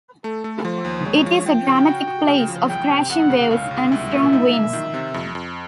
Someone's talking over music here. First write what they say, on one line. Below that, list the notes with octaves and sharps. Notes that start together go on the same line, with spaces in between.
It is a dramatic place of crashing waves and strong winds.
A3 A4
A3
F3 C5
D#2
G#3 C#5
F3
F3 G5
C#3
F#4
F#4
C#3
F3
C2 G5
C3
F2 F#5
C#3
C#2 F5
C#2
C2 E5
A#2
D#4
A#3
D#3
C3
F2
F2